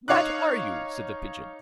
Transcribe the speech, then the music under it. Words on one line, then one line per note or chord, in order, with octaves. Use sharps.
WHAT are you?' said the Pigeon.
D#4 C#5 F5 D6 F#6